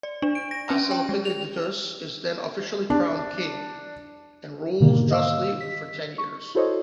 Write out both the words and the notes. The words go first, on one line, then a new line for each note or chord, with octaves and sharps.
Asclepiodotus is then officially crowned king, and rules justly for ten years.
D5
D4
D7
A#6
C#4
G5
G#3
F7
D4
G#2 B2 D3 D#3 A#3
D#5 F5 E6
B6
C#6
E4 F#4 A4 C5 C#5 D#5